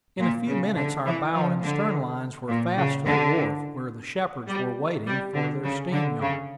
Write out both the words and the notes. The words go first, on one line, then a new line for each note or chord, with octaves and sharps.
In a few minutes our bow and stern lines were fast to the wharf where the Shepards were waiting for their steam-yacht.
A#2
C#3
D3
E3
F3
D3
A#2
C#3
D3
G3
G3
D3
C#3
D3
C#3